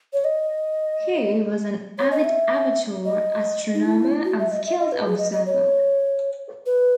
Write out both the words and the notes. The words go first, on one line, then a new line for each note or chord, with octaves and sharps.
He was an avid amateur astronomer and skilled observer.
C#5
D#5
C#5
D#5
E5
D#5
D#4
E4
F#4
E5
D#5
E5
D#5
B4
G#4
D#5
D#5
C#5
B4